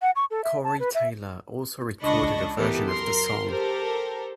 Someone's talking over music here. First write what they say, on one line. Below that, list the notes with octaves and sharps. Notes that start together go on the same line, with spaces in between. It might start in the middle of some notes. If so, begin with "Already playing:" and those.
Corey Taylor also recorded a version of the song.
F#5
C#6
A4
E5
A5
B4
E5
C#2 D4 D#5 A5 B5 C#6
E3 B3 G4 A4 A#4
F#2 A#4 C6
G4 A4 A#4 C5